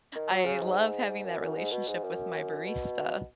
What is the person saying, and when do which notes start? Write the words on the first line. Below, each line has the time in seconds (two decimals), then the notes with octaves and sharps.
I love having that relationship with my barista,
0.15 D#3
0.30 F#3
0.45 C#3
0.62 G#2
1.09 G#2
1.24 F#2
1.40 F#2
1.56 G#2
1.71 B2
1.87 G#2
2.03 F#2
2.66 B2